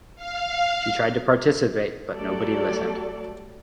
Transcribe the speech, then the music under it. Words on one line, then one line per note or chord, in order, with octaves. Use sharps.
She tried to participate, but nobody listened.
F5
F#3 G3 A3 A4 D5